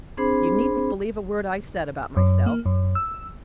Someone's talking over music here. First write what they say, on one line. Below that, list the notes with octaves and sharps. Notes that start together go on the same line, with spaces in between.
You needn't believe a word I said about myself.
C4 D4 G#4 C5 B5
F#2
A#3
F#2
E6